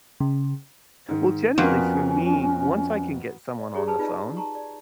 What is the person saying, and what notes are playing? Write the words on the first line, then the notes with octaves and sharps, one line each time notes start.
Well, generally, for me, once I can get someone on the phone,
C#3
G#2 D#3
F2 B3 C#4 F#4 A#4
D5
G4 G#4 C#5 D5 A#5
G#4 B4 A5 A#5
D#4 F4 B4 D5 D#5
A5 A#5 C#6
D5